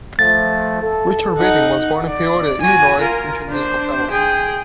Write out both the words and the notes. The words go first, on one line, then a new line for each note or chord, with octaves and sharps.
Richard Whiting was born in Peoria, Illinois, into a musical family.
F3 A3 A6
A4
D#4 F#5
D5
F#4 G#5
F4 A#4
D4 C5
G#4 G5